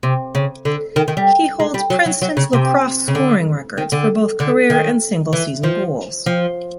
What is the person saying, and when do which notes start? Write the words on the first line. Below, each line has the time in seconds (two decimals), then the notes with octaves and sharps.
He holds Princeton's lacrosse scoring records for both career and single-season goals.
0.03 C3
0.35 C#3
0.65 D3
0.96 D#3
1.08 D#3
1.17 G3
1.60 G#3
1.74 G3
1.90 F#3
2.06 F#3
2.22 F#3
2.37 C#3
2.53 C3
3.08 C#3
3.15 D3
3.78 D#3
3.92 D3
4.40 D3
4.70 D#3
5.33 E3
5.63 F3
6.26 F3